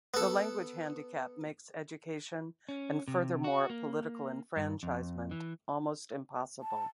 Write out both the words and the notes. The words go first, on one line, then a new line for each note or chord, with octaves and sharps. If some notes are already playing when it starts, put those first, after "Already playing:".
The language handicap makes education and furthermore, political enfranchisement almost impossible.
B3 A4
C#4
C3
F#4
A#3
G2
F2
E3
A5